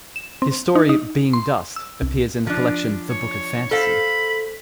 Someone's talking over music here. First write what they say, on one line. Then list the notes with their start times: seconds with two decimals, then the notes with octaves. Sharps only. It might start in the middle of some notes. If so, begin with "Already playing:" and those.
His story "Being Dust" appears in the collection The Book of Fantasy.
0.16 E7
0.42 C4
0.75 D#4
0.89 D#4
1.33 C6
1.76 E6
2.02 C2
2.47 F3 D4
3.09 C#5
3.71 A4 C5 F5 B5